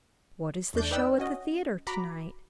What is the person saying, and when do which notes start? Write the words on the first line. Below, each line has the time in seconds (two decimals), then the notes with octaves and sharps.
What is the show at the theatre to-night?
0.74 E2 A3 D4 G6 A6
0.91 D#4 B4 D5 G5 E6
1.18 C#4 F#4 D#5
1.87 F#4 A#5 B5 D6